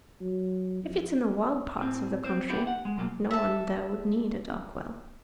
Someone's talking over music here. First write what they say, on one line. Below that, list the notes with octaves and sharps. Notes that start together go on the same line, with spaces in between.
If it's in the wild parts of the country, no one there would need a dark well.
F#3
F2
A2 C4
C4 C5
B3 D4 E4 G4
F#5
G#3
B2 F#3 A#3
A4 E5